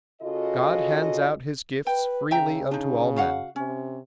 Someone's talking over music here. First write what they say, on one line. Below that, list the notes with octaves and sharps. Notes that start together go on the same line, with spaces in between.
God hands out His gifts freely unto all men.
C#3 F4 F#4 A4 D#5
B4 G5
C#3 E5 G5 A#5
D4 D#4
F#4 F5 F#5
C3 C#4